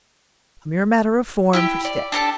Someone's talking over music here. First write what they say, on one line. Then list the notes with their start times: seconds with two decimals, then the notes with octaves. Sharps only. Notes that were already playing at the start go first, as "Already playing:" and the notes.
A mere matter of form for to-day.
1.53 E4 G4 G5
1.85 D5
2.12 D4 G4 A4 A5